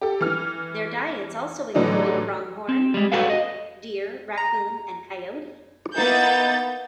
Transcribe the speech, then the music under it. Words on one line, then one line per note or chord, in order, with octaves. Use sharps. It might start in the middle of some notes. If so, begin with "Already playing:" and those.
Their diets also included pronghorn, elk, deer, raccoon and coyote.
G4 A4
E3 F6
A2 D3 E3 F#3 D4 D#4
C4
G3 G#3
F#4 A4 B4 F5
D#5
A#5
A#3 B3 D#4 E4 G6 A6